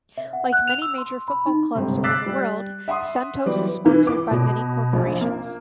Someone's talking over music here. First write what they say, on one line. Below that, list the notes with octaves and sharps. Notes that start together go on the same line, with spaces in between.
Like many major football clubs around the world, Santos is sponsored by many corporations.
E5
F#5
F#6
F7
E6
C6
B5
D#4
G1 G#2 C3
D6 E6 F#6 A6 B6 C7
G3
E5 F#5 C6 D#6
E3 F#3 G3 B3 D5
E3
D6
B2
A#1
A#3